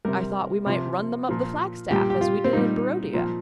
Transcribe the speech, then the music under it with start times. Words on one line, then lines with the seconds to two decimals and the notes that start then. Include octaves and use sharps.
"I thought we might run them up the flagstaff, as we did in Barodia."
0.05 C3 G3 A#4
0.66 C3 F3
1.29 A#2 F3
1.91 A#2 G3 G4
2.10 G4
2.21 F4
2.44 C4
2.52 A#2 G3 D#4
3.14 A#2 F3